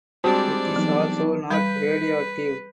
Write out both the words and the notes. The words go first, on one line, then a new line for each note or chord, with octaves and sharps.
It is also not radioactive.
G3 G#3 C4 D4 F#4 C5 D5 A5
E3 F#3 B3 D#4
G3 B4 B5 G6